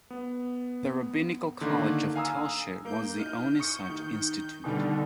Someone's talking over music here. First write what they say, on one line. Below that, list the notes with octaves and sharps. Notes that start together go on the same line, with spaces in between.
The Rabbinical College of Telshe was the only such institute.
B3
D3 D#3 A#3
F5 G#5 A#5 D#6 E6
A#3 G6
D#4 F6 D#7
C#6 D#6 C#7
D#3
B2 D3 D#3 G3